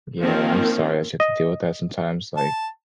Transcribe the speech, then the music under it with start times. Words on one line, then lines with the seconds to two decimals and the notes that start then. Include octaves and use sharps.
Yeah. I'm sorry, that you have to deal with that sometimes, like
0.20 D#3 F3 A#3 C4 C#4
1.20 D#5
2.37 A5